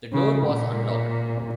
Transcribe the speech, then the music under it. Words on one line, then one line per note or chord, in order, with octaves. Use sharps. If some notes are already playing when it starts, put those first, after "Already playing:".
The door was unlocked.
C#3
A#2